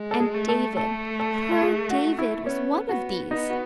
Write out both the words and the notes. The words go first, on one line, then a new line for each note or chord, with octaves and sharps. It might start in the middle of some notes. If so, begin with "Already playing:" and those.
And David--her David--was one of these!
Already playing: G#3
A4
G#4
A3
A4
A3 A4
A4
A4
G#4
F#4
E4
B3 C#4
B3 F#4
B3 D#4
F#4